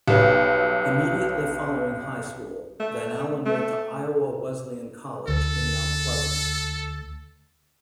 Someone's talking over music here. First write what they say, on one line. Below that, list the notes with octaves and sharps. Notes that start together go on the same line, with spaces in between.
Immediately following high school, Van Allen went to Iowa Wesleyan College in Mount Pleasant.
B1 F#3 G4 B4
A3
A3
D2 A4